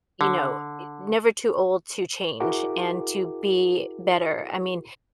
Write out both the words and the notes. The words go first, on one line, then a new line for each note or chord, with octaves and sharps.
you know, y never too old to change, and to be better, I mean,
D3
E4 F#4 G#4 A#4 D6